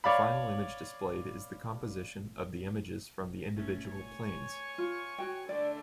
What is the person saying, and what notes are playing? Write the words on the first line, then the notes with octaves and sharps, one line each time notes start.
The final image displayed is the composition of the images from the individual planes.
C#5 D5 F5 B5
A3 C#4
C#5 G#5 C#6
F4
F#4 G5
D3 A3 D4 D5